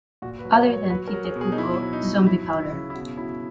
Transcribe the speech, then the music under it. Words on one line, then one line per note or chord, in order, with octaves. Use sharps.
Other than Tite Kubo, Zombiepowder.
A#2 F#4
B4
F#3
B4
C#5
F#3
C#5
F#3 B4
A#4
F#3
G#4
B2
G#4
D#4
B2 E4
F#3
D#4
F#3
F#3 E4
F#3 E4
C#3
E4
B2 F#4
F#3 E4